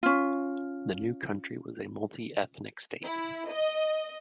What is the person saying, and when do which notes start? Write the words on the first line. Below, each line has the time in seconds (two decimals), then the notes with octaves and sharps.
The new country was a multi-ethnic state.
0.03 C#4 F4
3.02 E4
3.48 D#5